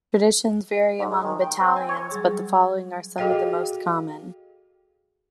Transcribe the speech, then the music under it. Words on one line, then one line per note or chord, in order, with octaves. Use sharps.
Traditions vary among battalions, but the following are some of the most common.
G#2
G#3
D#3
G5
C4
G#5
C#5
F#3 G3 G#4
F#4 G#4 A4 D#5 F5 G5